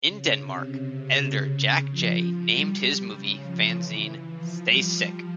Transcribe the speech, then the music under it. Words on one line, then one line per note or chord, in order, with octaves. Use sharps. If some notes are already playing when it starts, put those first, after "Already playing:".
In Denmark, editor Jack J named his movie fanzine Stay Sick!
C#3
C3
C3
C#3
F3
F3
G3
G3
C#3
F3
E3
E3
F3
G3
F3